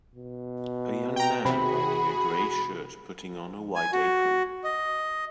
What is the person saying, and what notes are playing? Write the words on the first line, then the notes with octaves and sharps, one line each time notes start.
A young man wearing a gray shirt putting on a white apron.
B2
G5 A#5
C3 F#4 G#4 B5
G#5
F#4
D#5